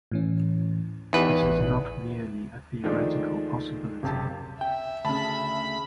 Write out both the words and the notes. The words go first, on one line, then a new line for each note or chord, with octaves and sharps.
This is not merely a theoretical possibility.
A2 E3 C#4
E2 D#4 G4 B4
A1 A2
D#3 F3 G#3 A3 D4
F#1 C3 A5
E5 G5
D2 C#3 A5 B5